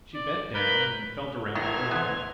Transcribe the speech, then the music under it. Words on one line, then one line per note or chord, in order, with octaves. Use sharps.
She bent down and felt around with her hand.
D5
A#4 B4 B5 G6
A1 D#3 A3 F6 G#6 A#6
B3 C5